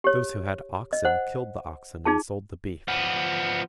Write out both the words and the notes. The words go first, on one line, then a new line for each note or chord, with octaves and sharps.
Those who had oxen killed the oxen and sold the beef.
G4 C#5
D#5
C5 F#5
D#4 F4 G#4 A5
F3 B3